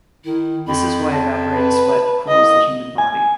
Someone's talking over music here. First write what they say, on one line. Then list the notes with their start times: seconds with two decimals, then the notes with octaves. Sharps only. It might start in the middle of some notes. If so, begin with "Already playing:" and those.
This is why evaporating sweat cools the human body.
0.25 D#3 E4
0.67 F2 B5
1.11 A5
1.54 B4
2.28 C2 D#5
2.98 G#5